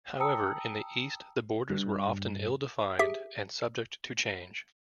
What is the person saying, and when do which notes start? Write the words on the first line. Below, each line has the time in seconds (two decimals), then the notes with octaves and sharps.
However, in the east the borders were often ill-defined and subject to change.
0.20 G5 A5 A#5 D#6 E6 C#7
1.70 G2
2.99 G4 G#4 E5